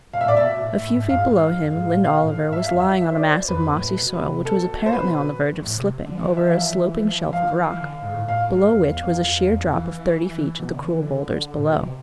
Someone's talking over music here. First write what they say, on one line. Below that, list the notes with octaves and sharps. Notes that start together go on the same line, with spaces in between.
A few feet below him Lynde Oliver was lying on a mass of mossy soil which was apparently on the verge of slipping over a sloping shelf of rock, below which was a sheer drop of thirty feet to the cruel boulders below.
B2 F5
E5
A2 D5
B2 E5
B2
A2
A2
A2
G#2
F2 F5
G#2
F2
G#2
A2
B2 F5
A2
A2
G#2 E5
F2 F5
E5
E5
C5
D5
C5
F2 B4
A2
B2
B2
C3
C3
B2 A4
C5
B4
E2
A2
C3
D3
F3
E3
F3 E5
E3 F5
F3 E5
E3
E3
F3
E3
F3 F5
E3
E3
D3
G#2
A2
A2 F5
G#2
F2
E2
F2
F2
E2
F2
E3
B2
C3
D3
E3
D3
A2
B2
C3